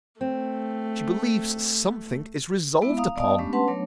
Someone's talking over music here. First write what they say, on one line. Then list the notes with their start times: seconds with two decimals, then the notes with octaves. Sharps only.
She believes something is resolved upon.
0.21 A3 C4
2.82 G#3 B3 E4 E5
2.97 F5 A#5 D#6
3.16 B3 D5 D#5 F5 A5 D#6
3.38 G#3 A3 B3 C#4 D4 G4
3.53 C#4 D4 B4 F#5 A5 C6
3.68 F#3 A3 B3 D4 C#5